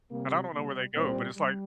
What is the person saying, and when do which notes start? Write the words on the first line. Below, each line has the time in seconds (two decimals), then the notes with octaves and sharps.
and I don't know where they go, but it's like
0.11 C3 G3 A#3
0.52 C3 G3 A#3
0.94 A#2 G3 C4
1.36 G3